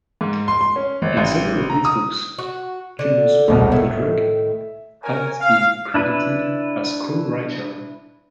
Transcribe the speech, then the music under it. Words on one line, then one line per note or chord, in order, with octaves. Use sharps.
In several of these books, Junius Podrug has been credited as co-writer.
G#2
C6
C6
C#4
G#1
A1
A#5
D#6
F#4
D3
E1 C2 B2 D#4
A2 D#3 E5
A#4 C#5 G#5
F5
D4 E4 B4